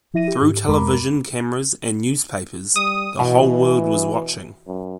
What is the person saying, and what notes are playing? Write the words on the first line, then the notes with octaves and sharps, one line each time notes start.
Through television cameras and newspapers, the whole world was watching.
F3 E4 E5 A#6 D#7
G4
G#2
F2 G#3 A#4 A#5 B5 D6
G3 D#6
B2 E3
F#2